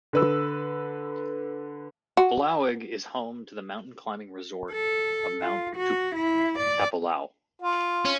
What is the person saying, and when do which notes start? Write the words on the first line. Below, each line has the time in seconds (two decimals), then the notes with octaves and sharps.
Palauig is home to the mountain climbing resort of Mount Tapulao.
0.13 D3 B4 E6
2.17 F#4
4.72 A4
5.41 F4
5.76 F#4
6.16 E4
6.59 D5
7.62 F4
8.05 C#4